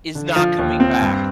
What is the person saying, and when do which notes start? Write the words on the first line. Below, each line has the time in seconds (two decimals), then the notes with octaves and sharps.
is not coming back.
0.15 D3
0.36 F3
0.58 D#2
0.80 C4
1.01 G2